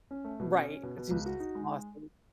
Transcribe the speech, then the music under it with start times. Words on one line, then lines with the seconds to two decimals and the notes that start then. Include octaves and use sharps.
Right, I jus exhausting.
0.11 C#4
0.25 A3
0.40 B2
0.53 C#4
0.68 C#4
0.83 B2
0.97 B2
1.11 C#2
1.26 F#4
1.40 D#4
1.55 G#3